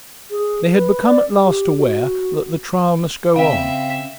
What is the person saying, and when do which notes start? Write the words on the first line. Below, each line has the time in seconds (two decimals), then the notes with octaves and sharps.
They had become at last aware that the trial must go on.
0.31 G#4
0.73 B4
1.05 D5
1.33 G4
1.77 F#4
3.36 C#3 C4 E5 F5